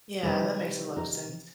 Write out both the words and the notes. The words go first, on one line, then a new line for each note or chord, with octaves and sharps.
Yeah, that makes a lot of sense.
C3 D#3 G3 B4
A#4